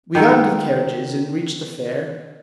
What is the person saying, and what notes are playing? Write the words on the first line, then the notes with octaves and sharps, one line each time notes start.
We got into the carriages, and reached the fair.
D#3 B3 A4 A#4